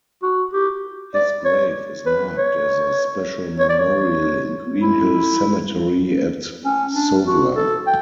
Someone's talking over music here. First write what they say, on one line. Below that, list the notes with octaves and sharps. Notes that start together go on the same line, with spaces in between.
His grave is marked as a special memorial in Green Hill Cemetery at Suvla.
F#4
G4
D5
C#5
B4
C#5
C#5
D5
C#5
E4
C#4
D4
F#4
A4
G5